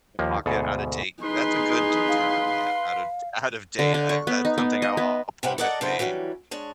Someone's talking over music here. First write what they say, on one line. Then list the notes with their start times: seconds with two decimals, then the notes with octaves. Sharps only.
The pocket out of date. That's a good t term. Yeah. Out ot out of date. I that's something I'll I'll pull with me.
0.19 D#2 F3 A#3
0.46 D2 G#2 B2 G#4 A4
1.23 D#4 G#4 B4 C6
2.08 F5
3.79 D3
3.94 D3
4.09 C#6
4.27 B3
4.45 D#4
4.58 B3
4.82 D#5
4.97 B3
5.43 C3 C#4 E4 G4 C5 F#5
5.58 A4 A#4 D5 D#5 F#5
5.81 C#3 B3 D4 E4 C5
5.99 E3 F#3 G3 C#4
6.51 G#3 D4 C#5